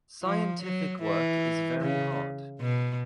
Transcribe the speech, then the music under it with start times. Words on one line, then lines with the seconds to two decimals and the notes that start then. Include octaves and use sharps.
Scientific work is very hard.
0.23 F3
0.62 F#3
1.03 E3
1.81 C#3
2.60 B2